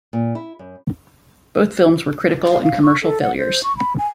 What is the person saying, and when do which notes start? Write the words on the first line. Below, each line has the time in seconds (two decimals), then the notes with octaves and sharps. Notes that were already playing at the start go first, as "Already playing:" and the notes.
Both films were critical and commercial failures.
0.13 A#2
0.35 E4
0.59 F#2
2.48 F5
2.62 F5
2.83 C#6
3.02 A4
3.22 F#5
3.37 C5
3.63 C#6
3.77 B5
3.98 G#5